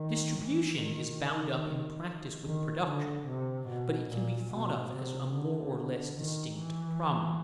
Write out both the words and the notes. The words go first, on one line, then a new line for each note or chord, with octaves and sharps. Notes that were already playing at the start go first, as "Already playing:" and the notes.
Distribution is bound up in practice with production, but it can be thought of as a more or less distinct problem.
Already playing: D#3
E3
D#3
D#3
D3
C3
B2
A#2
B2
C3
D3
D#3
E3